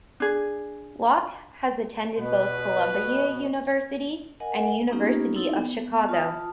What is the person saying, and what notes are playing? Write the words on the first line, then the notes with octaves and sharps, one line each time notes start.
Locke has attended both Columbia University and University of Chicago.
D4 G#4
B2 B4
A#4 D#5 F#5 G#5
A#3 B3 C#4 D#4 F4 G4
C4 D#4 E4 A4
B3
F4 A5 D#6